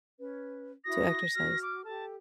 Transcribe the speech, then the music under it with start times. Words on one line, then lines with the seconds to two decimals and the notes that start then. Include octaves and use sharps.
to exercise?
0.19 C#4 B4
0.84 E4 F#4 D#6 A#6
1.35 F#4 F6
1.62 D6
1.85 G4 A4 A5